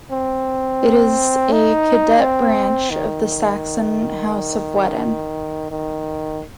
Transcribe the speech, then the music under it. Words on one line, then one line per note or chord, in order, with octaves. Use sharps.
It is a cadet branch of the Saxon House of Wettin.
C4
D#4
C4
D#3
D#3